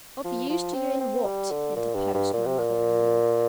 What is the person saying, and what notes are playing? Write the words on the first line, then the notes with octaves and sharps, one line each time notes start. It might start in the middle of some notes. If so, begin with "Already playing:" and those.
"Of use to you in what?" interposed my mother-in-law.
F3
F3
C4
C4
G3
D3
A#2
G2
G2
A#2
C3
A#2